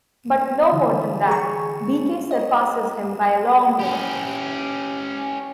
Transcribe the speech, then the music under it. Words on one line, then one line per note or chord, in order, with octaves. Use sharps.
But no more than that; Beecke surpasses him by a long way.
D3 E3
G#4 C#6
D#5
C#4 G4